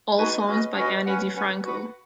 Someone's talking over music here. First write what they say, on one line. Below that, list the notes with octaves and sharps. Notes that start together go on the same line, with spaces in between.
All songs by Ani DiFranco.
D#4 F#4 B4 G#5
C#4 F#4 B4 D#5
C#4 F#4 B4 D#5
C#4 B4 F#5
C#4 B4 F#5
F#4 B4 F#5